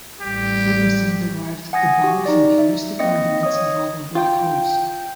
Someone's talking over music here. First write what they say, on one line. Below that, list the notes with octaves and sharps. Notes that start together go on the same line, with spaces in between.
Bekenstein derived the bound from heuristic arguments involving black holes.
A1 G3 G4
F#5 G#5 D#6 G#6 A#6
F#4 G4
D#4 D5
E5
A#3 C4 D#5 D#6 C#7
C#5 D#5 D#6
F4 G5